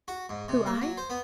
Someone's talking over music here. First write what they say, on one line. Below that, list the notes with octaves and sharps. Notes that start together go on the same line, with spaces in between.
"Who, I?"
F#4
G#2
C3
A#3
F#3
C5
B3